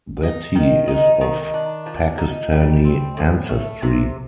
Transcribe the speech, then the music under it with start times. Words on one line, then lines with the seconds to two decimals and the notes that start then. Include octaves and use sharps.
Bhatti is of Pakistani ancestry.
0.23 D#4
0.55 D#3
0.88 D#4
1.21 D#3
1.54 D4
1.86 F3
2.18 D#4
2.52 G3
2.85 C4
3.17 A2
3.49 A3
3.82 C3